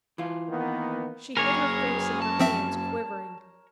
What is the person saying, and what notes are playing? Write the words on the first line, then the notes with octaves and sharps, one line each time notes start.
She hid her face in her hands, quivering.
E3 F4
D#3 A#3 B3
F#2 A#3 G#4 A#4 C#5
A5
F3 C4 E5